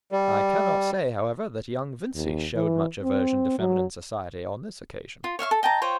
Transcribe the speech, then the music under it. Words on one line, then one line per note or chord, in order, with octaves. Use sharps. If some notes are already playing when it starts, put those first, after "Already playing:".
I cannot say, however, that young Vincey showed much aversion to feminine society on this occasion.
G3
D#2
E3
C4
F#3
F4
C#5 E5 F5 C#6
A4
D#5 G5 A5 A#5
F4 C5 C#5 G5